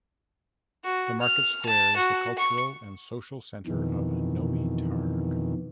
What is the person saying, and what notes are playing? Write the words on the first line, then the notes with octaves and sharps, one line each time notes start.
The Market Square is the cultural and social center of Nowy Targ.
F#4
F6
A5
F#4
C#6
F2 B2 D#3 E3